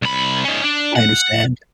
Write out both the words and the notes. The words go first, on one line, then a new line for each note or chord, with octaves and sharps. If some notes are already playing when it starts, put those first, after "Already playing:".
I understand.
C2 B5
C#4 D#4
D4
F#5